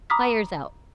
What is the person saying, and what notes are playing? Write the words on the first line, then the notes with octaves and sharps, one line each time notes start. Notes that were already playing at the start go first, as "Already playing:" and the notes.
Fire's out!
A#5 B5 D6 D#6 F6 B6